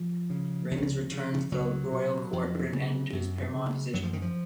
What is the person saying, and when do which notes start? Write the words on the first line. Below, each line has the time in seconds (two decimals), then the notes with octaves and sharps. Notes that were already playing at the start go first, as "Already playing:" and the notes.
Raymond's return to the royal court put an end to his paramount position.
Already playing: F3
0.30 C#3
0.71 C#2
1.11 C#3
1.52 C#2 F#3
1.92 B2
2.33 F2
2.73 C#3
3.13 F#2
3.53 C#3
3.94 F#2 F#3
4.03 F3
4.13 D#3
4.22 F3